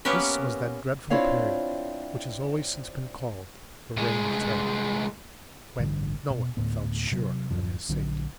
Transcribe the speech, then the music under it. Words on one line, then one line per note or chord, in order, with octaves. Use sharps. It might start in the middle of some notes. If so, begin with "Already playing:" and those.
This was that dreadful period which has always since been called "The Reign of Terror," when no one felt sure of his safety.
A#3 B3 C#4 G4 A#4 B4
C4 D4 E4 F4 C#5 F5
C2 G#3
A1 G2 D3
B2
D2 A2 B3
C3 F#3
D1 F#2 F3
A#1 D3 F#3